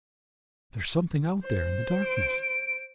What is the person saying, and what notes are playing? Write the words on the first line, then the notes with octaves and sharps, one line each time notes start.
"There is something out there in the darkness."
C5
D7